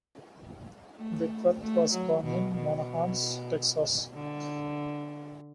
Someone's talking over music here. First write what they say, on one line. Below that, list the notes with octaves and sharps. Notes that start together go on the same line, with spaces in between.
Whitworth was born in Monahans, Texas.
A3
A3
F#3
B2
B2
D3